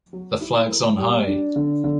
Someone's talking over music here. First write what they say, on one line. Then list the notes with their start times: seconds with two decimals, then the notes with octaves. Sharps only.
The flags on high!
0.13 F#3
0.41 E4
0.69 A#4
0.99 G3
1.27 D4
1.56 D3
1.84 D3